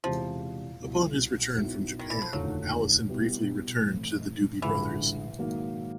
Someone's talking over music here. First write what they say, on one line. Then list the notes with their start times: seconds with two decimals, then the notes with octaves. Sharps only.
Upon his return from Japan, Allison briefly returned to the Doobie Brothers.
0.04 E2 C3 E3 F3 G#3
0.80 C2 B2 F#3 B3
1.56 B1 B2 F#3 B3 E4
1.99 D#3
2.10 E3
2.22 F3
2.33 F1 D#2 D3 F3 F#3 A3
3.09 B2 G3 B3 E4
3.86 A2 E3 A3 C4
4.62 A1 G2 D3 E3 F3 G#3
5.38 G#2 D#3 F#3 A#3